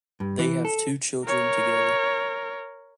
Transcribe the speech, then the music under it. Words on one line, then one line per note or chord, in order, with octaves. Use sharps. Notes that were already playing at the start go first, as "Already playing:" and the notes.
They have two children together.
G2
E3
A4
A#4 C#5